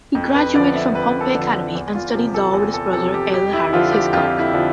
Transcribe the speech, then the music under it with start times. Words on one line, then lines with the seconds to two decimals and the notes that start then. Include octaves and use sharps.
He graduated from Pompey Academy and studied law with his brother L. Harris Hiscock.
0.15 F2
0.34 B4
0.54 D3 F3 D5
0.75 E5
0.95 F2 B4
1.21 A4
1.35 D3 F3
1.75 E2
1.95 F4
2.14 C3 F3 G4
2.34 A4
2.53 E2 A4
2.74 A4
2.93 C3 F3 A4
3.14 G4
3.33 F2 G4
3.53 E4
3.73 D3 F3 F4
3.93 G4
4.13 F2 F4
4.39 E4
4.53 D3 F3